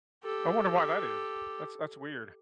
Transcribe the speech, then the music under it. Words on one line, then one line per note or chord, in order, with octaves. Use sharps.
I wonder why that is. That's that's weird.
G4 A4